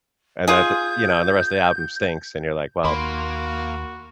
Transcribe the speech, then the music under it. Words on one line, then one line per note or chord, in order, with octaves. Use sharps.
And then th you know, and the rest of the album stinks, and you're, like, "Well
F4 G#4 G6
D#2 A#3 F#4 B5 C6